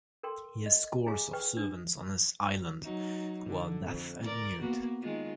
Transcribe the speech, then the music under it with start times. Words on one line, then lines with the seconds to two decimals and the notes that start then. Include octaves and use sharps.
He has scores of servants on his island, who are deaf and mute.
0.23 A4 A#4 G5 C6
0.66 D#5
1.06 E4 G4 G#4 F5 G#5
1.33 B4 G5 C#6
1.57 D4
2.82 F#3 D#4
3.46 D3
3.86 F2
4.23 A#4 D5
4.61 A#3 B3 F#4
5.02 D#3 G#3 F4